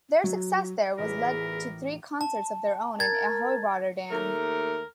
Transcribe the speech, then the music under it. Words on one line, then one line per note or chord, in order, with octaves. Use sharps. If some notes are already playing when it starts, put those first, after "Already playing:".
Their success there led to three concerts of their own in Ahoy Rotterdam.
F#3
A1 E2 F4 G#4 A#4 E5 B5
A5
A#4 G#6 A6
D#2 A3 A#4